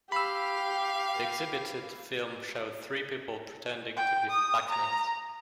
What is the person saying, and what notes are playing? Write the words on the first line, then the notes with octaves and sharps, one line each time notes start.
The exhibited film showed three people pretending to be blacksmiths.
G4 F5 B5 E6
G5
D#6
A#5